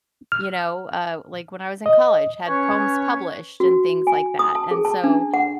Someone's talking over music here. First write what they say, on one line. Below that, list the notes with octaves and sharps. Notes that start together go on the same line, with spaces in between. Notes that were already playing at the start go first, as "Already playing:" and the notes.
you know, uh, like, "when I was in college, had poems published and things like that." And so,
F6
D#5
C#4 B4 C#5
F#4
G#5
D#6
A5
G#4
A5
D4
F#5